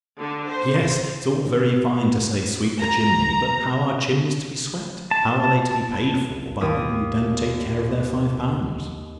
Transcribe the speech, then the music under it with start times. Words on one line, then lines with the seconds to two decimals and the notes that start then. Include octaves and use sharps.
Yes, it's all very fine to say sweep the chimney--but how are chimneys to be swept--how are they to be paid for by people who don't take care of their five pounds?
0.18 D3
0.48 C5
2.79 A#5
5.11 A5
6.61 D#2 D#6 B6